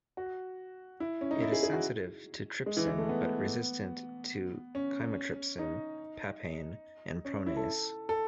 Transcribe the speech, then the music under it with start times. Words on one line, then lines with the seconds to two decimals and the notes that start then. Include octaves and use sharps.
It is sensitive to trypsin but resistant to chymotrypsin, papain and pronase.
0.17 F#4
1.00 E4
1.21 C#4
1.31 D#4
1.42 E4
1.52 G#4
1.63 G#4
1.73 F#4
2.66 G#3
2.77 E3
2.87 E3
2.98 A3
3.09 B3
4.75 C#4
5.59 D#4
7.25 C#4
7.46 E4
7.57 A4
8.09 A4